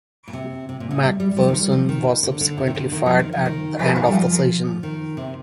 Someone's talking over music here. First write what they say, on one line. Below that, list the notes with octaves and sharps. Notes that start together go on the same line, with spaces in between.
MacPherson was subsequently fired at the end of the season.
A#2
C3
C3
A#2
A2
G3
G3
G3
F3
D#3
G3
F3
D#3
D3
D3
C3
D#3
D3
D#3
F3
D#3
F3
D#3
F3
D#3
G3
F3
D#3
C3